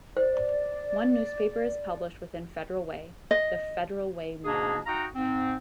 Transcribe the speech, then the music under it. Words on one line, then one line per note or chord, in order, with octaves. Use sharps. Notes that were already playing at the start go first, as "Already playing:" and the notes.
One newspaper is published within Federal Way, The "Federal Way Mirror".
C5 D5
D#5
G#2 B2 A#3 D4 G#4
D#4 F#4 F5 G5 A#5
G#2 C4